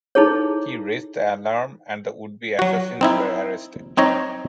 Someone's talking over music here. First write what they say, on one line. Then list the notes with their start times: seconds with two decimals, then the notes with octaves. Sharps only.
He raised the alarm and the would-be assassins were arrested.
0.15 D#4 E4 G#4 A4 C#5
2.59 F#3 F#4
3.01 C4 D#4 E4
3.97 C4 D#4 C#5 D#5